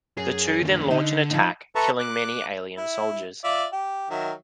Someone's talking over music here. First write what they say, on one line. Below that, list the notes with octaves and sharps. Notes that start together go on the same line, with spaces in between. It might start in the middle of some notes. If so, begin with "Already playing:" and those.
The two then launch an attack, killing many alien soldiers.
F#2 G#4
D#2 D4
D3 D#4
F3 D#4
A4 B4 E5 A5 A#5 C#6
D6 F#6
E4
F4 D5 E5
G4
D#3 F#3 E5